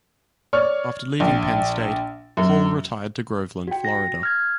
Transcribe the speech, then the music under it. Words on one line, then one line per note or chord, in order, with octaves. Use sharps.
After leaving Penn State, Hall retired to Groveland, Florida.
C#5 D5 C#6 F6
A#1
F#2
F#4 G5
A#6
F6 G#6